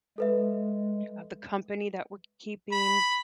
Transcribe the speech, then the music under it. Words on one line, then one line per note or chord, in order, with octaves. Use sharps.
of the company that we're keeping.
G#3 A4 B4 E5
B5